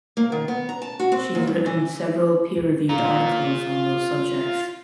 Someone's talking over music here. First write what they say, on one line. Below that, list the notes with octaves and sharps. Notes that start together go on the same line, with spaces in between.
She has written several peer reviewed articles on those subjects.
A#3
D#3
B3
A#5
A5
F#4
C4
D#2
G2
E3
F4 A#5